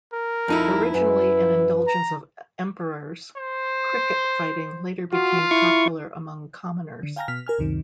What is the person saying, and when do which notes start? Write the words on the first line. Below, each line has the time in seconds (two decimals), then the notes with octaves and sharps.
Originally an indulgence of emperors, cricket fighting later became popular among commoners.
0.13 A#4
0.48 F2 D#4 E4
0.94 F#2 E4 B4
1.87 A#5
3.37 C5
5.13 F4 F#4
5.51 E4 C#6
7.03 D3
7.16 F5 G5 G#5 A#5 F6 A#6
7.28 B2 F6 B6
7.46 A#4 G#5 F6
7.58 C#2 F#2 C3 D#3